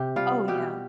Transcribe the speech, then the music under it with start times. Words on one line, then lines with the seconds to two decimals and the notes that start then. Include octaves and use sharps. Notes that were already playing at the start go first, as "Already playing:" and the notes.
Oh, yeah.
Already playing: C3 G4
0.16 G3 F4
0.48 B2 G4